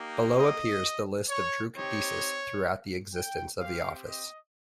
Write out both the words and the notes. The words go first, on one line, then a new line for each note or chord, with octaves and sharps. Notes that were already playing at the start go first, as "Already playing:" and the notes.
Below appears the list of Druk Desis throughout the existence of the office.
Already playing: A#3 D#4 G4
D#5
C#5
C4 D#4 G4 C#5
G5
C4 G4 F5
D#5